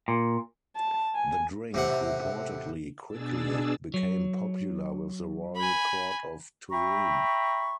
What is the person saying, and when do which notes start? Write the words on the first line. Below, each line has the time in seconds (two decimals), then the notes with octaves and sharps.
The drink reportedly quickly became popular with the royal court of Turin.
0.08 A#2
0.76 A5
1.15 G#5
1.74 A2 C3 F#5
3.08 B2 D4 G#4 E6 A6
3.94 F#3
5.56 G#5 B5
6.71 E5 G5 A#5 B5 C#6